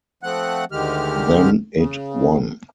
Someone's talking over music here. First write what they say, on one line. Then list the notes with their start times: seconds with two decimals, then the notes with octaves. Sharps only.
Then it won'.
0.23 F3 A3 C4 F#5 F#6
0.72 D2 D3 D#3 G#3 G4 F6
1.76 C#3